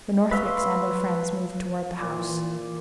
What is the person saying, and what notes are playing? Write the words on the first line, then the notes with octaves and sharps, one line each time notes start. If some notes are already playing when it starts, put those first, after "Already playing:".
The Northwicks and their friends moved toward the house.
B4 E5 F5 C6 C#6
A#2 C5 D5
E3